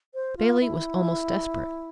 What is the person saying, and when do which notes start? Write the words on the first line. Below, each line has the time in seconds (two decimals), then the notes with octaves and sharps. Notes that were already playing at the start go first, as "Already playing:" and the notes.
Bailey was almost desperate.
0.14 C5
0.37 F4
0.60 E4